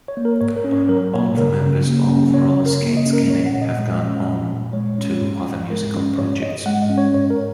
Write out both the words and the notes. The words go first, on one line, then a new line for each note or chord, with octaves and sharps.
All of the members of Rollerskate Skinny have gone on to other musical projects.
C#5
A#3
A#4
G#2 C#5
A#4
C#4
C#5
F#3 A#4
A#3 C#5
C#3 A#4
C#3
A#3
C#4
C#3 C#5
C#5
C#3
A#4
A#3
D#5
C#4
A#4
A#2 C#5
F#5
A#2
D#5
G#3
C#4
A#2
A#2
G#3 C#5
C#4
G#2
G#2
G#3 A#4
C#4
G#2 C#5
G#2 D#5
G#3 F#5
D#5
C#4
C#5
G#2 C#5
A#4